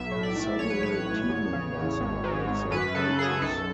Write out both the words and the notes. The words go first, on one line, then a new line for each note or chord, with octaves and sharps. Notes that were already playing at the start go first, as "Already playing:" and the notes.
Several team members are also coaches.
Already playing: B1 E5
A2
D5
B1
A1 C#5
B4
A2 C#5
A1
E2
C#3
E2
G#1
G#2
G#1
F#2 B4
C#3 A4
F#2 G#4
B1 A4